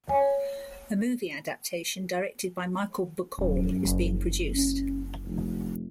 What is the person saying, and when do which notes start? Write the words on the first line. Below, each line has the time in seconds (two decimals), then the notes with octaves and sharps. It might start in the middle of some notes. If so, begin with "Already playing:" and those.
A movie adaptation directed by Michael Bacall is being produced.
0.09 C#5 G#5
3.38 D#1 F#2
3.85 F#1
4.55 C#4
5.25 F1